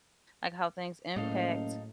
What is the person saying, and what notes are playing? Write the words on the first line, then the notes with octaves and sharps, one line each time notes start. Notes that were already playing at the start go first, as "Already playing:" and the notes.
like how things impact.
F#1 A2 D#4 A4 F5